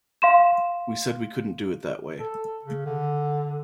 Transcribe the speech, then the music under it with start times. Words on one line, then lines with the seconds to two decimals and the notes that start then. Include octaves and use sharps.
We said we couldn't do it that way.
0.22 F5 C6 E7
2.19 A4
2.64 C#3
2.86 D3